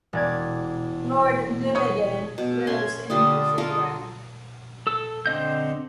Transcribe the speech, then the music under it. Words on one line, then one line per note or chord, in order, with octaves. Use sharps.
Lord Lyveden lives in New Zealand.
E1 D5 G#6
C#5 D#6
B2
C#4 C6 G#6
D3 G3 F4 D#6
F4 A4 A#4
A4 E6
D3 C4 D#5 G6